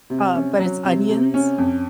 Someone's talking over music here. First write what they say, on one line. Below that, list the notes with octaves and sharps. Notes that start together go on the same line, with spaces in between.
uh, but it's onions.
C3
C#4
F#3
C3
C3
C#4
F2